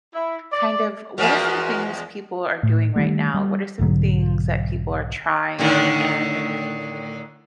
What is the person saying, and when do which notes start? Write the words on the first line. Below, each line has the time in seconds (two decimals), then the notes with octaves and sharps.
kind of what are some things people are doing right now, what are some things that people are trying, and,
0.14 E4
0.52 D5
1.18 E2 F3 G#3 F#4 A#4
2.63 A2
2.96 D#3 G3 A3
3.34 G3
3.79 B1 G#2 D3 F#3
5.59 A2 D3 D#3